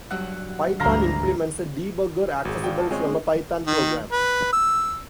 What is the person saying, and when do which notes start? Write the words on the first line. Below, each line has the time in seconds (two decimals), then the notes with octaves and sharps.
Python implements a debugger accessible from a Python program.
0.11 G2 F#3 F#5 E6
0.80 G#1 D2 D3 E3 G3 F5 A#5 C6
2.45 G#1 F#4 G#4
2.64 F#4 D5 F5 G5
2.77 A5
2.91 G#3 C4 C#4 F4 G#5
3.07 A3 G#4 D#5
3.67 D#3
4.12 B4
4.53 E6